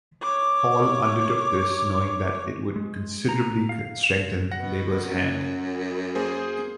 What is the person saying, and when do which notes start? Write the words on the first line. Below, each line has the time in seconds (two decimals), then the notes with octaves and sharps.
Hall undertook this knowing that it would considerably strengthen Labor's hand.
0.22 C#5 D6
2.76 G#3
3.29 A#5
3.69 F5
4.51 B2 F#5 A#6
5.09 F#2
6.15 A#3 G#4 C5